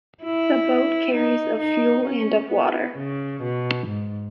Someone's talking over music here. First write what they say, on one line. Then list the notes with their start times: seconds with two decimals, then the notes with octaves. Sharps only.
The boat carries of fuel and of water.
0.24 E4
1.15 D#4
1.60 D#4
2.06 C#4
2.51 B3
2.97 C#3
3.42 B2
3.88 G#2